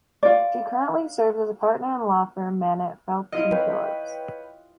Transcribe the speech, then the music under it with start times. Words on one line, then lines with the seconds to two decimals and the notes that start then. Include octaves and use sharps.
She currently serves as a partner in law firm Manatt, Phelps and Phillips.
0.23 F4 D5
3.32 E4 F4 D#5
3.51 B4 C#5 G5